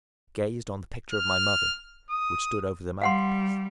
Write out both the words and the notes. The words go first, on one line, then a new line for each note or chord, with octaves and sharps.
I gazed on the picture of my mother, which stood over the mantel-piece.
F6
D#6
G3 F5 F#5 C6